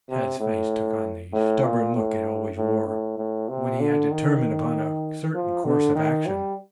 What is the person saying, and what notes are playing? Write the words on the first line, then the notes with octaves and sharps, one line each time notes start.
Tad's face took on the stubborn look it always wore when he had determined upon a certain course of action.
C3
A2
A2
A#2
A2
A2
A2
A2
C3
D3
D#3
F3
D3
D#3
G3